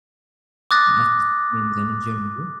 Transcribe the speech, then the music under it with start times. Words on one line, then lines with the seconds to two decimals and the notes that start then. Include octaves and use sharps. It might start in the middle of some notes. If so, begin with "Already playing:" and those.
um, us as humans and in general,
0.71 D6 D#6 F#6 A6 A#6